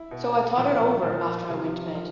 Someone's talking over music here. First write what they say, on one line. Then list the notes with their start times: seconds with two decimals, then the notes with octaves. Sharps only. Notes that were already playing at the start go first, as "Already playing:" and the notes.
So I thought it over after I went to bed.
Already playing: E4
0.11 B2
0.57 A#2 F3 E4
1.02 A#2 F3
1.48 C3 F3
1.95 F3